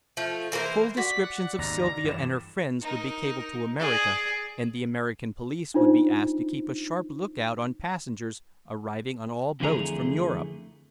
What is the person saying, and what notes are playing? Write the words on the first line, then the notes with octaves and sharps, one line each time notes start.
Full descriptions of Sylvia and her friends would be cabled to America, and the American police would be asked to keep a sharp look-out on passengers arriving on all boats from Europe.
F3 A3
E3 A#3 A#4 C5
F#4 D5 B6
F#5
D#2 G#2 C3 A#5
G2 E3 E7
D#4 A#4
G#4 D5
D4 D#4 F4 C5
F2 D3 E3 A3 G#4 A#5